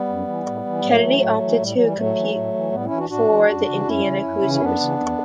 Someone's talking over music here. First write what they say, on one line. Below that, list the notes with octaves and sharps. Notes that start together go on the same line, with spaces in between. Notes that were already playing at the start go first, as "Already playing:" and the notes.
Kennedy opted to compete for the Indiana Hoosiers.
Already playing: G3 B3
F#2
E3
A2
E3
A2 F#3 A3
E3
A2
E3
A2 G3
F#3
E3
G3
A2 F#3 A3
E3
A2
E3
A2 G3 B3
C#4 E4
E3
D4 F#4
A2 D4 F#4
E3
F#2
C#3 E3
F#2 C#4 E4
C#3 E3
F#2
C#3 E3
E4
F#2 B3 D4
C#3 E3
E2